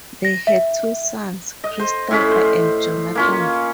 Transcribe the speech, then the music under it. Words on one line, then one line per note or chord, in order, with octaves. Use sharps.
They had two sons, Christopher and Jonathan.
A#6
E5
D#5
C5
A2 C#4 B5
C5
A#3 C#4 F4